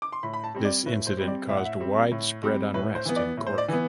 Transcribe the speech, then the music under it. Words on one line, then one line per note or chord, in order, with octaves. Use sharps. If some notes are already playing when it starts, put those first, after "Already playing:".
This incident caused widespread unrest in Cork.
D6
C6
A2 B5
B5
A5
G3 C4
D5
A2 B4
C5
G3 C4
D5
A2 E5
F#5
E5
G3 C4
A2
G3 C4
A2 B4
C5
E3 B3
D5
A2
C5
D5
E3 B3